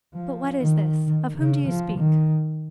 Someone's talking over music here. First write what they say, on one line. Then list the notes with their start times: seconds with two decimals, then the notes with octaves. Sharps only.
'But what is this?--of whom do you speak?'
0.15 F3
0.60 D#3
1.07 D#3
1.37 C#3
1.68 F3
1.99 D#3